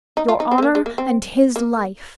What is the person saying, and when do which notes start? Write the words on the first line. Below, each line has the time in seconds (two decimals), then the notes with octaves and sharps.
Your honor and his life!
0.17 D#4
0.28 F4
0.40 D#4
0.51 C4
0.58 G#3
0.63 A#3
0.75 G#3
0.86 A#3
0.98 C4
1.56 A#3